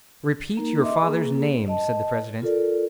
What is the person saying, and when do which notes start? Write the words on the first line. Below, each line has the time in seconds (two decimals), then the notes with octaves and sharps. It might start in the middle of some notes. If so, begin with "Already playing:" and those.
"Repeat your father's name," said the president.
0.57 A#3 D#4 A#4
0.81 D#5 E5 C6 D6
1.03 A#3 G#4
1.68 D#5 A5
2.42 F4 A4 A#4 D5